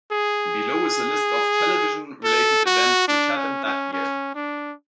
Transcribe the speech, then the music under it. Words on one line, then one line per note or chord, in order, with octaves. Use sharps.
Below is a list of television-related events which happened that year.
G#4
A4
F#4
D4
C#4
C#4
C#4
D4